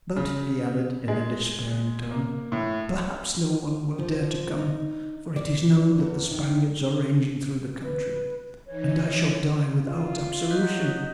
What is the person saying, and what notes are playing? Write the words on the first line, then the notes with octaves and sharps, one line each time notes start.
But," he added in a despairing tone, "perhaps no one will dare to come for it is known that the Spaniards are ranging through the country, and I shall die without absolution.
C#3
G#3
A#3
A2
F3
D#4
D5
E2
D#3
B4
E3 D#4 C#5
F4
F#3 F#4 D#5 F#6 G6 B6